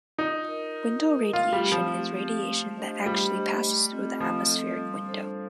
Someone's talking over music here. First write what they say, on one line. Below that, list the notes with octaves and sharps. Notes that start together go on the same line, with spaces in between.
Window radiation is radiation that actually passes through the atmospheric window.
D#4 F4
A#4 D#5
F4
A#4 D#5
A3 F4
G3
C4 G4
F3
A3
C4 G4
A3
D4 G4 C5 D#5
G3 A3
D4 G4 C5 D#5
A3
C4 F4 A4 D#5
F3 A3
C4 F4 A4 D#5
G3
D4 A4 C5